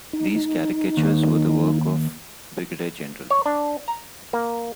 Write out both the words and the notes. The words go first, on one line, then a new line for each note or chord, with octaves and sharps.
These caricatures were the work of Brig.-Gen.
D#4
D#2
C#5
D4
A#5
A#3